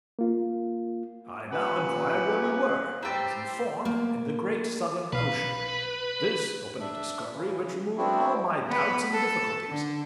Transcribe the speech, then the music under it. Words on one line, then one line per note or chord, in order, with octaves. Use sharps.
I now inquired where we were, and was informed, in the great Southern Ocean; this opened a discovery which removed all my doubts and difficulties.
A#3 F4
A#2 C#4 G4 B4 D#5 F#5
E4 G4 C5 G5 A#5 E6 A6
A#3
B1 B4 F5
D4 E5
C#3 E3
B3 C4 D4 E4 F#4
B3 B4
A4
D3